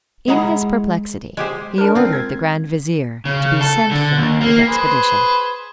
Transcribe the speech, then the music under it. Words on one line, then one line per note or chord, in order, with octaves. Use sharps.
In his perplexity he ordered the grand vizier to be sent for with expedition.
G#3 E4 G#4 F#5 A#5 B5
G#3 G4 C5
D4 A#4
C4 F4
G#6
C#3
A4
D3
D#2
A#3
G#4 B4 C5